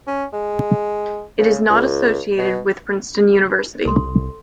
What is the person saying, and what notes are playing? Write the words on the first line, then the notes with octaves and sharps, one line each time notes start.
It is not associated with Princeton University.
C#4
G#3
C#3
C#2
B2
C2 A4 C6